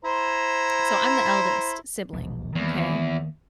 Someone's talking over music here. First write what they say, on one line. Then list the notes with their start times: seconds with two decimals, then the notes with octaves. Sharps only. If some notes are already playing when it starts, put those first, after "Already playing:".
so I'm the eldest sibling, okay?
0.05 E4 C5 A#5
2.13 E1 A#1 D#2
2.55 E2 D#3 A#3 C4